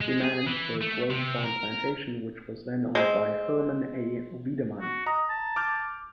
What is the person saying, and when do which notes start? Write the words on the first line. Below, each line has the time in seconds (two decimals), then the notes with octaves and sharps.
He managed the Grove Farm Plantation which was then owned by Hermann A. Widemann.
0.01 G#3
0.24 G#4
0.46 E3
0.81 A3
1.11 C3
1.44 A#4
2.95 G#3 C4
4.81 F#4
5.07 D#5 A#5
5.30 A5
5.56 D6 F6 G6